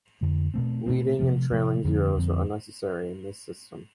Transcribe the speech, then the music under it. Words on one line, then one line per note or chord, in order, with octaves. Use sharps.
Leading and trailing zeros are unnecessary in this system.
F2 D3 A3
B2 A3 C4
B2 A3 C4
C3 F3 A3
C3 F3 A3
F2 D3 F3 C4
F2 D3 F3 C4